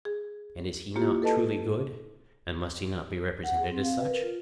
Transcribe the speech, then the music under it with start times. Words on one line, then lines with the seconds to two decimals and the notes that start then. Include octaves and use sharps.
And is he not truly good? and must he not be represented as such?
0.05 G#4
0.96 A#3 E4 F4 G4
1.22 A4 B4 D#5 A5
3.43 F#5
3.58 G#4
3.71 C4
3.83 F5
3.98 B4
4.10 A#4
4.22 F4